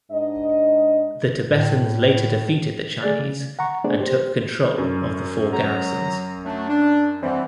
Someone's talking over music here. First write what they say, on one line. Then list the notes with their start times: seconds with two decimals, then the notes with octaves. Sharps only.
The Tibetans later defeated the Chinese and took control of the Four Garrisons.
0.11 G#2 D4 D#5
1.47 A2
3.02 A3 G#4 D5 A6
3.19 C#3
3.59 F#5 A#5 C#6
3.84 A3 B3 D4 G#4 C5 D5
4.00 G4 C5
4.78 F#2
5.53 F#3 A#5
6.45 F#3 A3 D4
6.70 D4
7.23 E3 G3 C4 D5 F#5